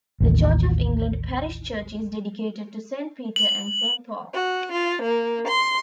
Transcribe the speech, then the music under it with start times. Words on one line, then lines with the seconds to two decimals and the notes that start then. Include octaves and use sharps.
The Church of England parish church is dedicated to Saint Peter and Saint Paul.
0.21 A1 D#2
3.36 F#7
4.34 F#4
4.71 F4
5.01 A#3
5.47 C6